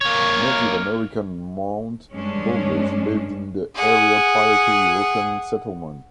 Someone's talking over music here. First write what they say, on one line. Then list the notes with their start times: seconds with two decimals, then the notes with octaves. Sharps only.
Native American mound builders lived in the area prior to European settlement.
0.01 A#3 C#5
2.12 G2 G#3 C#4 D4
3.75 G#4 F#5